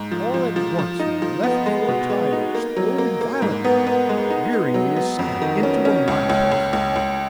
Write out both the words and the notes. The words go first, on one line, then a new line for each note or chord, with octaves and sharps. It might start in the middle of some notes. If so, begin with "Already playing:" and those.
All at once my left fore tire exploded violently, veering me aside into a mile-post.
Already playing: G#2
F3
F3
F3
F3
D#4
F3
B3
G#3
B2
G#3
D#4
A#3
F#3
A#3
A#3
G#2
B3
B3
G#3
D#4
D#4
F#3
B3
F2
D#3
C#4
C#4
C#2
C#2
C#2
C#2
C#2